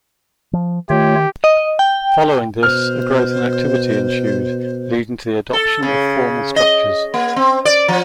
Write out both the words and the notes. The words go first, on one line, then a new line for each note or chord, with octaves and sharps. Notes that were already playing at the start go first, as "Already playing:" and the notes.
Following this a growth in activity ensued, leading to the adoption of formal structures.
F3
D#3 A3 F4 G4 C#5
D#5
G5
B2 C5 F6
A4
C#3
D#5
A#3
C4
D5
F3